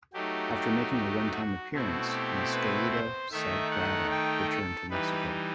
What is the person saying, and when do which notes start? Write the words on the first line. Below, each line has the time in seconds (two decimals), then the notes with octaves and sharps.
After making a onetime appearance Mascarita Sagrada returned to Mexico.
0.13 F#3 A3 D#4 G4
0.53 G4
0.93 G4
1.32 F#4
1.72 B2 A3 C4 E4 F#4
2.12 G4
2.51 B4
2.92 C5
3.31 D#3 A3 D#4 E5
3.71 F#5
4.11 G5
4.51 A4
4.90 E3 G3 D#4 B4